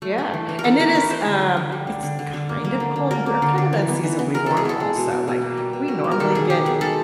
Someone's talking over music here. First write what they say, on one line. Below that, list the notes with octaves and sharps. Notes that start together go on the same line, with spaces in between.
Yeah, and it is, um it's kind of cold we're kind of unseasonably warm, also, like, we normally get
A3
A3
E3
E3
A#4
E3 A4
A3 A#4
E3 B4
E3 C5
D3
D3
D3
G3
D3
D3
D3
D3
A#3
A#3
D3
D3
A#3 A#4
A#3
D3
D3
E3
B3
E3
B3
G#3 A#4
E3 A4
G#4
B3 A4
G#3
B2
B2
B2
A#3
G3
B2
B2
A#3
A#4
D#3 A4
D#3 G#4
D#3 G4
B3 G#4
G#3 A4